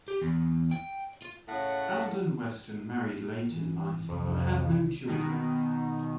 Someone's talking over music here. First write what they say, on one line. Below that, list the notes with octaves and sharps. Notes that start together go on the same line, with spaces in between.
Alden Weston married late in life but had no children.
G4
E2
G5
F4
A2 C#3 F#5
G#1 E3
C2 F2
B2 D#3